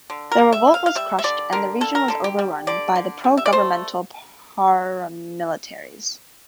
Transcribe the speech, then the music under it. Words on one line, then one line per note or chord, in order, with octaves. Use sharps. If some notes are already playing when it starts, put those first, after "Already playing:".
The revolt was crushed and the region was overrun by the pro-governmental paramilitaries.
D3
A#4
G3
E5
A#3
F5
F5
G3 E5
E5
D3 D5
D3 A#4
A#3 A4
A#4
D3 A4
G4
G3
D3 D5
D3
G3
E5
D5
A3 C5